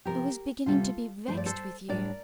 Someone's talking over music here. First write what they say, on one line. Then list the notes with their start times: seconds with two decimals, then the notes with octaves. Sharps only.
I was beginning to be vexed with you.
0.05 C3 F3 C4 G4 A#4
0.66 D2 C3 G3 A#3 F4 A4
1.28 G2 F3 A3 C5
1.37 D5
1.46 A4 C5
1.88 A2 G3 D4 A#4 D5